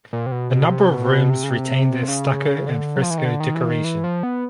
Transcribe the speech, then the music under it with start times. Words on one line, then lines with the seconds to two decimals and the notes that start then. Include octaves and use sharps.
A number of rooms retain their stucco and fresco decoration.
0.13 A#2
0.26 C3
0.32 B2
0.52 B2
0.71 C3
0.91 B2
1.05 C3
1.11 B2
1.30 C3
1.44 C#3
1.50 C3
2.08 C#3
2.67 D3
2.96 F#3
3.03 F3
3.10 E3
3.18 D#3
3.25 D3
3.40 D#3
3.55 E3
3.70 D#3
3.84 E3
4.04 F3
4.23 B3